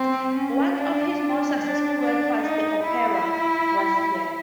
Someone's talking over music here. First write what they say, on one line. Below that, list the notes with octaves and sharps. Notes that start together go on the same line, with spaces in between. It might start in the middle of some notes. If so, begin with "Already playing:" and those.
Once of his most successful works was the opera "Graziella".
Already playing: C4
C#4
D4
D4
D4
D#4
E4